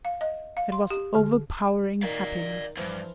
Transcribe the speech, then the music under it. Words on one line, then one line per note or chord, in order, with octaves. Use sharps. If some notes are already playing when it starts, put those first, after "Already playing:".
It was overpowering happiness.
F5
D#5
F5
C6
G4
D3
D#3 D5 F5
E2 G2 E3 F3 F4